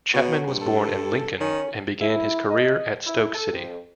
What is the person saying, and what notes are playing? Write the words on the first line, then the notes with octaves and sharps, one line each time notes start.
Chapman was born in Lincoln and began his career at Stoke City.
B2 F#3
G2
A4
D#3 C#4
E4
D#5
E4
A4
F2